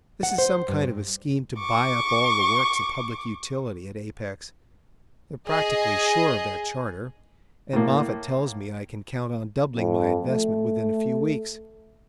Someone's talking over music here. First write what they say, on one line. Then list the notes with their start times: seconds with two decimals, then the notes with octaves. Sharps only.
This is some kind of a scheme to buy up all the works of public utility at Apex. They're practically sure of their charter, and Moffatt tells me I can count on doubling my investment within a few weeks.
0.23 F#5
0.38 C5
0.68 G2
1.59 C#6 D6
5.47 G#4 D#5
7.73 A2 A#3
9.76 F2
10.20 A3